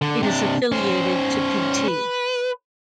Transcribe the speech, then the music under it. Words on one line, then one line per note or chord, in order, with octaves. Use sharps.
It is affiliated to Pt.
D3
C3 D4
C#4 C5
B4